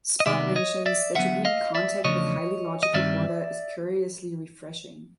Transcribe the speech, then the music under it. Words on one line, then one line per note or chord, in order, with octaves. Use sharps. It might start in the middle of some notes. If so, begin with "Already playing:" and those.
Spock mentions that to be in contact with highly logical Horta is curiously refreshing.
D#5
C3 D#3 G3 B3 D#4 D5 E5
C#5 D#5
D5 E5
D3 F#3 B3 E5 F#5
D#5 F5
D5 E5
E2 C#3 F3 A3 D4 C#5 D#5
D#5
G2 D#3 G3 C4 D#4 D5 E5